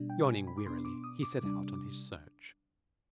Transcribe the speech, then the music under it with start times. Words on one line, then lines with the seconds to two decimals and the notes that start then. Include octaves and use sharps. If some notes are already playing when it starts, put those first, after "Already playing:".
Yawning wearily he set out on his search.
Already playing: B2 G3 D4
0.10 G5
0.29 G#5
0.47 B5
0.58 D6
0.66 B2 B3 D4 C6
0.85 D6
1.04 D#6
1.23 D6
1.41 C3 G3 D4